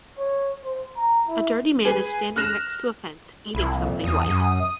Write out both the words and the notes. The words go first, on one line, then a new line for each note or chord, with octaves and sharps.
A dirty man is standing next to a fence, eating something white.
C#5
C5
A#5
E4
G#4 B4 G#5
F6 F#6 A#6 E7 F7
C2 E4
F2 A#2
E2 D#6
F#2